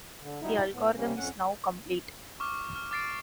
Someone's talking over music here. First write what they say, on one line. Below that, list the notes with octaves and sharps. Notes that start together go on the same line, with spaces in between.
The algorithm is now complete.
D3
F#3 G3 D#4 E4
A2 B3
C3 G3 A#3 C#4
F2 C#4 F#5
C#6 D6 F6
F6
D6 F6 A6 C7 D7